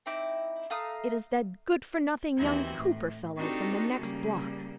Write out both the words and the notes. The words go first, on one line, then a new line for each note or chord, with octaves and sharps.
It is that good-for-nothing young Cooper fellow from the next block.
C4 D#4 E4 D6
A3 F5 A#5 D#6
D#2 D#3 E3 C4 F#4 G#6
A2
C4 D4 D#4 F#4 G4 A4
C#3 G3 A#3